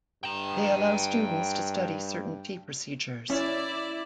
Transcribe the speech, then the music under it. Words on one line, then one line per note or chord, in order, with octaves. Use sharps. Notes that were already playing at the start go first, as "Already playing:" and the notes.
They allow students to study certain tea procedures.
G2 G5 A#5
C#4 E4 D5